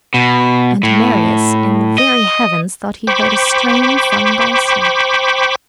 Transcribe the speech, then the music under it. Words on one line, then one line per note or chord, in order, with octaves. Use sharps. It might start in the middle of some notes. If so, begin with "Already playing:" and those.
And Marius, in the very heavens, thought he heard a strain sung by a star.
B2
A2
D#5
C5 G5 B5 C#6 D6